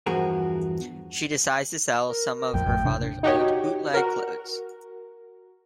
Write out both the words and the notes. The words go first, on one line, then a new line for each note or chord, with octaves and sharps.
She decides to sell some of her father's old bootleg clothes.
E2 G2 F3 F#4 G#4 A#4
A#4
A#4
A1 F2 G5
G#1 F2 A2
C3 D4
D#4 F#4 G4 C#5
F#4 A#4